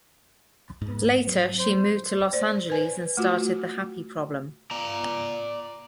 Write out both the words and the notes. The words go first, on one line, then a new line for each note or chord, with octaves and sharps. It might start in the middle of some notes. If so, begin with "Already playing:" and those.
Later she moved to Los Angeles and started The Happy Problem.
G#2
F#3
C5
C5 D5
B4 G#5
A3 F4 F#4
D5 A#5